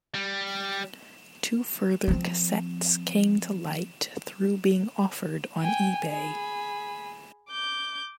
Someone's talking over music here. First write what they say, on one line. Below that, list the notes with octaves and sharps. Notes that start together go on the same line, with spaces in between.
Two further cassettes came to light through being offered on eBay.
G3
F3 C4
G5 G#5
G#4 B5
D6 G6